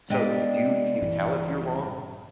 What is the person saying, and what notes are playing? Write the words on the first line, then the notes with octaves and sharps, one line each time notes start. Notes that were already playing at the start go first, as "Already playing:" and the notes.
So c you can you tell if you're wrong?
G#3 B3 D4 G4 D#5
A#1 G2 E3